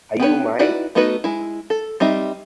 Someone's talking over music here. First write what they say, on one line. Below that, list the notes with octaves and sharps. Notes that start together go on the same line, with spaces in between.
Are You Mine?
B3 G4 B4 C#5
D#4 E4 F#4 B4 D5
A3 B3 D#4 F#4 B4
G#3 E4
A4
G3 C4 D#4 E5